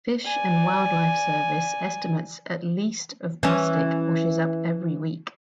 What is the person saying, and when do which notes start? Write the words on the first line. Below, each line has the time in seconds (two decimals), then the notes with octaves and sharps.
Fish and Wildlife Service estimates at least of plastic washes up every week.
0.25 D5 G#5
3.43 E3 C#4